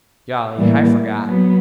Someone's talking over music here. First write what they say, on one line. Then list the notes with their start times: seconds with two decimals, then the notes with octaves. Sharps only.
Golly, I forgot.
0.58 A2 E3 G3 A#3
1.28 F#3 B3